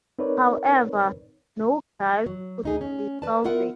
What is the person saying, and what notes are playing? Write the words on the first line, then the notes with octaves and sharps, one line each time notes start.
However, no glyphs could be salvaged.
C4 D#4 A#4 B4 C#5 D5
F#3
D2 D#4 G#4
C#4
B4 D5 A5
B3 E4 F4 A#4 F#5